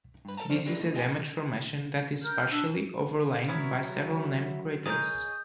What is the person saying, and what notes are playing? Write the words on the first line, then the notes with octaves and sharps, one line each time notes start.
This is a damaged formation that is partly overlain by several named craters.
G2 B4
A4 A#4 C#5 F#5 A5 A#5
F#2 F3 C#4 C5 D5
D4 G4 G#4 A#4 B4 D5
A2 D3 A#3 D#4
D#4 G#4 A#4 D#5 G5 G#5
A#4 F6 G6
D4 E6
F#3 B3 C#4 E4 A#4 C#5
D#4 G#4 A#4 C#5 D#5 D#6 G6